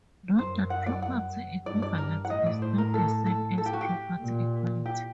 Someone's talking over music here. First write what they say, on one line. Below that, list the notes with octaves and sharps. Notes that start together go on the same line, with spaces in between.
Note that property equivalence is not the same as property equality.
F#2 C5
F#5
D5
F#5
G2 D5
D5
A#4
F#5
A2 D#5
D5
C5
A#4
A4
A4
A4
G4
F#4
G4
A#2
G4